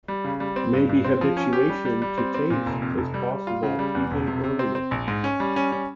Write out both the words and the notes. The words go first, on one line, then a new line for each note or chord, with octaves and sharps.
Maybe habituation to taste is possible even earlier.
G3
C#3
G3
C4
G2
G2
C4
F3
C#4
G4
G3
G3
G3
C4
C4
A#2
F1
F2
F1
G3
G3
F4
C#3
G3
E2
E1
C3
C3
C4
C4
A#1
G#2
C#4
G3
C#4
C#4